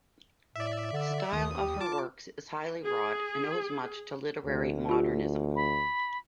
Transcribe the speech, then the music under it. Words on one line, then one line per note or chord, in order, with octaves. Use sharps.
The style of her works is highly wrought and owes much to literary modernism.
A2 D5 E5
D3
D#2 D#3 D#6
G4
F4 A5 D6
G#4
D2
F4 G4
B5